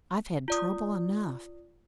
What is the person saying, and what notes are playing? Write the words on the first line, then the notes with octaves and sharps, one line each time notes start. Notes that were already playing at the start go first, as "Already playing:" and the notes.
I've had trouble enough.
F4 D5 D#6